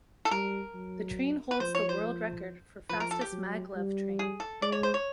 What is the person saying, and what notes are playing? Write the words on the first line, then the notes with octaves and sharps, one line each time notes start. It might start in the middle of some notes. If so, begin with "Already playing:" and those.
The train holds the world record for fastest maglev train.
A4
G3 A#4
F#3
B4
F3 C5
C#5
C5
F3 B4
A#4
A4
G4
F#3
G3
G#4
A4
G#3 D5
C#5
C5
C#5